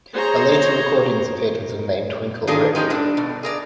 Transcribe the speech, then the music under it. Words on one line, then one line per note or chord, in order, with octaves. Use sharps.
Her later recordings appeared under the name Twinkle Ripley.
G#4 C5 C#5 A#5
D#3 D4 D#4 F4 G#4 A4
F3 G#3 C#4 D#4 G4
G2 D4
B2
G#4 A#4 D5